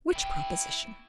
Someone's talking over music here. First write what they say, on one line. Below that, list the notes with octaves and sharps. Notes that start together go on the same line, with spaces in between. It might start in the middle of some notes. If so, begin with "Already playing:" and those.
"Which proposition?"
E4 G5